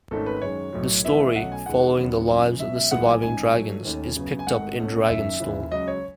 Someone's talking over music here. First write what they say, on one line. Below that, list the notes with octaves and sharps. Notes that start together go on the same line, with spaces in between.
The story, following the lives of the surviving dragons, is picked up in Dragonstorm.
G#1 G#2 D#3 A3 C#4 A4
B4
F#2 D#3 G#3 C#5
B1 A2 F#3
G#1 G#2 E3 B3 E5
B1 B2 A3 C#4 F#5
G#5
E2 D#3 G#3 B3 F#5
D#2 C#3 F#3 B3
F#2 E3 B3
C#2 B2 F#3 E5
E5
B1 A2 E3 G#3 B3 F#5
G#5
A1 G#2 D#3 G#5
G#2 F#3 A3
D#2 D#3 A3 C#4
F#2 C#3 F#3 B3
G#5
G#1 G#2 D#3 A3 F#5
C#2 B2 A3 C#4
F#1 F#2 D#3 E5
D#2 C#3 E3
C#2 C#3 F#3 D#5
C#5